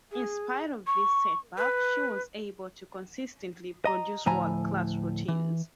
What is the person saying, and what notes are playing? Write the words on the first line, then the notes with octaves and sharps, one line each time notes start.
In spite of this setback, she was able to consistently produce world-class routines.
G#4
C#6
B4
D#5 A#5
D2 A2 F3 G#5 A#5 B5
E3